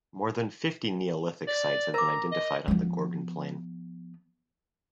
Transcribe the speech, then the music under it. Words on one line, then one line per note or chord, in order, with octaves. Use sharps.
More than fifty Neolithic sites have been identified on the Gorgan Plain.
D5
A#4 A#5 D6
D#5
F3 B3